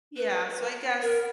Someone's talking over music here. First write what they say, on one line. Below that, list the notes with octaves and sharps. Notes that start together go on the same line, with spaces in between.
Yeah. So, I guess,
B4
A#4